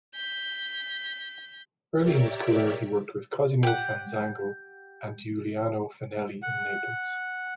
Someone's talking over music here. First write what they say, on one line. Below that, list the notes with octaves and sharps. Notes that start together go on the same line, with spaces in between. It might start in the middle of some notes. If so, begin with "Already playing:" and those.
Early in his career he worked with Cosimo Fanzago and Giuliano Finelli in Naples.
G6 B6
G4 A#4 C#5 D5 E5 G5
G4 F#5
F#5